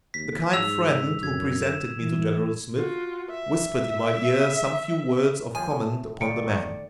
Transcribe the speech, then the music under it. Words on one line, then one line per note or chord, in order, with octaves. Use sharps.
The kind friend who presented me to General Smith whispered in my ear some few words of comment upon the man.
D#2 B6
G#2 E6 F7
F#2 G#6
E7
E3
F4 F#4
E5
D#2 F3 G#4 G#5
A2
B1 D#3 D5 C#7 D7
D#3 A3